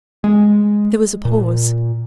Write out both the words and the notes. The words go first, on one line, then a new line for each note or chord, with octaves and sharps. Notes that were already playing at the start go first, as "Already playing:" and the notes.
There was a pause.
G#3
A#2